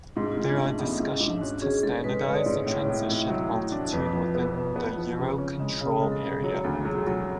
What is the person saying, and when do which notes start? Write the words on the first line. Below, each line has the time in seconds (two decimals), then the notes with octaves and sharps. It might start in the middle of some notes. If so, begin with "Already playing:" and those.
There are discussions to standardize the transition altitude within the Eurocontrol area.
0.16 G#2 D4
0.32 F4
0.37 G#2
0.47 D4
0.58 A3
0.63 C#4
0.79 A1 B3
1.00 G#2 C#4
1.20 G#2 D4
1.41 C#4 F#4
1.62 C#4 G#4
1.83 G#2 A4
2.04 G#3 B4
2.20 C#5
2.26 G#3
2.35 D5
2.46 G#2 C#5
2.66 A2
2.88 A2
3.09 A2
3.30 F#3
3.51 A2
3.72 D4
3.92 F2 B4
4.13 F3
4.35 B3
4.55 B3
4.76 B3
4.97 F3
5.18 C#3
5.38 C#4
5.59 G#3
5.81 C#3 C#5
6.02 G#3
6.12 A4
6.22 C#3
6.28 G#4
6.44 F#3 C#5
6.64 D2 A4
6.85 F#3 G#4
7.06 F#3 A4